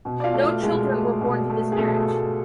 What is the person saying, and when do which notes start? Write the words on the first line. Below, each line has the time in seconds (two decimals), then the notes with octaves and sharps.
No children were born to this marriage.
0.05 B2
0.20 D5
0.24 F4 F5
0.34 A3
0.43 F4 F5
0.63 B2 G#3 G#4
0.91 A3
1.21 B2
1.50 A3
1.72 G#4
1.78 B2 A3 A4
2.07 A3